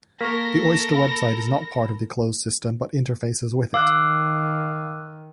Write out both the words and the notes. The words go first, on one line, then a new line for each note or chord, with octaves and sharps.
The Oyster website is not part of the closed system but interfaces with it.
A#3 A4 A#4 C#6 A#6 B6
B5
D#3 F5 D6 E6 F#6